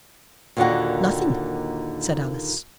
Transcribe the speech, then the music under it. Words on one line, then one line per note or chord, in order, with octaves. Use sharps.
'Nothing,' said Alice.
D#2 A#2 D3 D#3 F#4 F#5